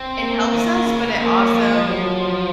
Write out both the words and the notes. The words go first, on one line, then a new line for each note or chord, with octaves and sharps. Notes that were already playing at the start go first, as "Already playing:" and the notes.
it helps us, but it also
Already playing: C4
A#3
D#3
C#3
F3 A#3
F#3
F3
F3
F3 F#3